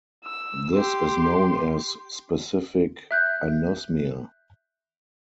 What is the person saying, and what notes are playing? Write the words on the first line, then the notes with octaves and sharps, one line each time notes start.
This is known as "specific anosmia".
E6
G4 C6
E5 F#6 G6